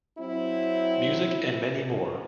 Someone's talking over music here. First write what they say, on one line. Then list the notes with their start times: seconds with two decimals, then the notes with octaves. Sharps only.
Music and many more.
0.18 F#3 C4 E4